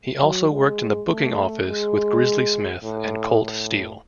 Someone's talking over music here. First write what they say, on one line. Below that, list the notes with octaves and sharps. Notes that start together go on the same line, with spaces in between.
He also worked in the booking office with Grizzly Smith and Colt Steel.
F#3
G#3
A3
G#3
A2
A2